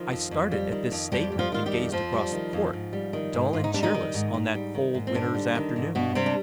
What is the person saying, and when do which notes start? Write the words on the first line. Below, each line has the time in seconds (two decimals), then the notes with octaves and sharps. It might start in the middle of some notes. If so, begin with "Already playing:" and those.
I started at this statement, and gazed across the court--dull and cheerless on that cold winter's afternoon.
Already playing: D#3 F3 F4
0.11 F2
0.31 F2
0.51 G3
0.72 D#3
0.92 F2
1.12 F2 G3 G4
1.32 G3
1.39 F3 F4
1.52 D#3 F4
1.66 G3 G4
1.73 F2
1.92 F2 F3 F4
2.13 G3
2.32 D#3
2.53 F2
2.73 G#2
2.93 G3
3.13 D#3
3.34 G#2
3.53 G#2 F4
3.64 D#4
3.74 G3 D4
3.83 D#3 D#4
3.94 D#3
4.14 G#2
4.34 G#2
4.55 G3
4.75 D#3
4.94 G#2
5.07 C4
5.15 G#2 D3 D4
5.35 G3
5.55 D#3
5.76 G#2
5.95 G2 B2 B3
6.15 C3 G3 C4
6.26 D4